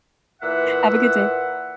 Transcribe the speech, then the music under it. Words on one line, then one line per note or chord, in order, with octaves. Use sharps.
Have a good day.
A#2 E3 B4 E5 F#5